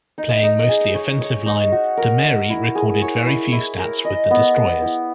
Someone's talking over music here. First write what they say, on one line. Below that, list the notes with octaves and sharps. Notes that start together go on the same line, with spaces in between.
Playing mostly offensive line, DeMary recorded very few stats with the Destroyers.
D#4
D#4
G#4
C#5
C#5
D#4
F#4
A#4
E5
E4
G#4
C#5
E4
E4
A#4
D#5
B3
B3
E4